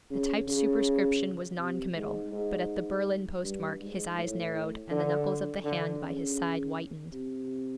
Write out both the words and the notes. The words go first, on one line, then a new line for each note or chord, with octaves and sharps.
The typed superscription was noncommittal, but at the Berlin postmark his eyes narrowed and the knuckles of the hand by his side whitened.
C#3
C#3
C3
G#2
G#2
G2
G#2
A2
D3
D3
C#3
C3